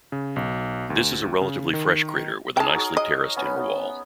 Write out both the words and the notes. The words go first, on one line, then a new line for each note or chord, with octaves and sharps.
This is a relatively fresh crater with a nicely terraced inner wall.
C#3
B1
D2
C#3
D#3
D#4 G#4 A#4 G5 A5
F#4 G#4 C#5
D#5 D#6
B3 C#4